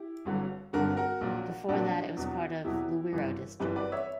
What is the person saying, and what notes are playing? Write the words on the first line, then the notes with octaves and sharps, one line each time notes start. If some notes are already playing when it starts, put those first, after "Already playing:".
Before that, it was part of Luweero District.
Already playing: E4 G4
G1 G2 D3 F#3
G1 G2 D3 F#3 F#4 A#4
F#4 A#4
A#1 A#2 F#3
A#1 A#2 F#3 D4 F#4
E2 B2 F#3
E2 B2 F#3 E4 G4
G1 F#2 E3 G3
G1 F#2 E3 G3 G4 B4
B4 D5
C#5 E5